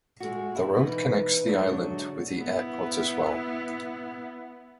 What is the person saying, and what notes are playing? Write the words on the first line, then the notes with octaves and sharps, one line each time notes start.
The Road connects the island with the airport as well.
G#3 A3 F#4
E4
B2 E3 D#4 B4
D3 F#3 G#3 A3 D4
B3 E4